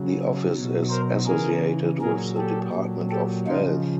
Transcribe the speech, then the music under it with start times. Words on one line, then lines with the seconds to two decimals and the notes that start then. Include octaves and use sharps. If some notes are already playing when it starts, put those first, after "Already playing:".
The office is associated with the Department of Health.
Already playing: C#3 F#3
0.53 B2 F#3
0.90 A#4 C5
1.27 C#3 E3 G#4 A#4
2.00 A#2 F#3 G#4 A#4
2.37 G4 A4
2.73 A#2 F#3
3.10 G4 A4
3.47 C#3 F3 D#4 F4